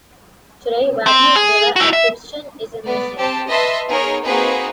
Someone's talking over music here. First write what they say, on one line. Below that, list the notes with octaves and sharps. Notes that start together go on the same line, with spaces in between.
Today, Wagner's villa at Tribschen is a museum.
C4
G#4
E4 F#4
E5
B3 D5
C4 G4 A5
B4 D#5 E5 A5 C6
B3 D#4 G#4 A#4 C#5
A#3 C4 D#4 F#4 G#4 B4